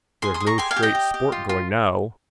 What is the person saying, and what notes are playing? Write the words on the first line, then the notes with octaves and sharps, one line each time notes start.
There's no straight sport going now.
G#4 G#5 C6
C6 D#6
G#4
A#5 C#6
G4 G#5 C6
F5 G#5
G4
D#5 G5
G4
G4
F4
F4